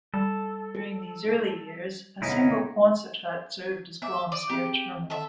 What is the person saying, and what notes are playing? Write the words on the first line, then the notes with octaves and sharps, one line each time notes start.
During these early years, a single Quonset hut served as Guam's air terminal.
G3 A4
C#3 B3 C#4 D#4 E4
B3 E5 G#5 D6
D5 D#6
B3 C4 G4 G#4
A4 E5